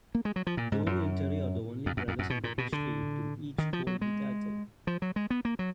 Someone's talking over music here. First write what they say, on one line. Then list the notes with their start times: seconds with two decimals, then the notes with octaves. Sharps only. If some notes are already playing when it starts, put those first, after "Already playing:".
Dory and Terry are the only brothers in history to each hold the title.
0.15 A#3
0.25 G#3
0.36 F#3
0.47 F3
0.57 A#2
0.72 G#2
0.86 F#2
1.86 F2
1.97 F#2
2.08 F2
2.19 F#2
2.30 B2
2.44 A#2
2.58 B2
2.72 D3
3.58 D#3
3.73 F3
3.87 F#3
4.01 G#3
4.87 F3
5.02 F#3
5.16 G#3
5.30 B3
5.45 A#3
5.59 F#3